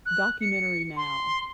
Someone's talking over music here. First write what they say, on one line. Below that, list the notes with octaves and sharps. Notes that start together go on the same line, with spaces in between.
Documentary Now.
F#6
C#7
C6